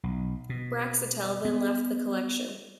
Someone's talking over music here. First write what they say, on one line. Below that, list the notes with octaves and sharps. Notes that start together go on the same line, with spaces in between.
Braxiatel then left the Collection.
B1
B2
B3